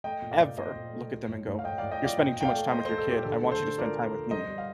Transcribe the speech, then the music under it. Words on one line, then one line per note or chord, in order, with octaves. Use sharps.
ever look at them and go, "You're spending too much time with your kid, I want you to spend time with me."
A3 D#5 G5
A#2
D5 F5
A#2
A#2 C5 D#5
A#2
A3
F3
A2
A2
F5
A2 D#5 G5
A2 D5 F5
D#5 G5
F3 D5 F5
A#2 D#5 G5
A#2 G5
D5 F5
A3
A3 C5 D#5
A3 A4 C5
A4
A#2 G4
D3 A4
A3
A4 C5
D3
F3 A#4 D5
A3
D3
G3 C5 D#5
G3
F5